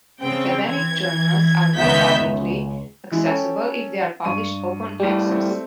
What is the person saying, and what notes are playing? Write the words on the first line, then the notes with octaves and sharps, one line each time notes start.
Academic journals are more publicly accessible if they are published open access.
C#3 C4 G5
E3 G#6
C#2 D#3 B3 E5 G6 B6
C#2
E3 G#3 E4
C#4 A4 G5
G2 C#6 D#7
A2 G3
A3 C4